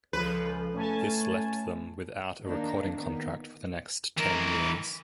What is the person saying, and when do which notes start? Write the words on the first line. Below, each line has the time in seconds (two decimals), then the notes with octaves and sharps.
This left them without a recording contract for the next ten years.
0.13 C#2 C#3 F3 A4 B4
0.74 A2 C#4 G#5 A5
2.46 D#3 A#3 D4 D#4
2.99 D#3 A#3 B3 D#4
4.17 E3 A#4